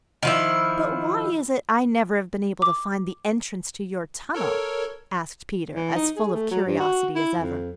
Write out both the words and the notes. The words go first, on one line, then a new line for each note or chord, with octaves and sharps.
"But why is it I never have been able to find the entrance to your tunnel?" asked Peter, as full of curiosity as ever.
D#3 F3 E4
D6
A4 A#4 C#5
E3
D#4
G#4
A3
F#3
G2
F#4
E4
F2